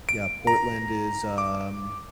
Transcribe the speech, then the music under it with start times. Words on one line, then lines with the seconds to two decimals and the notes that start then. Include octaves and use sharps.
yeah, Portland is ,um
0.09 D7
0.47 A#5
1.38 D6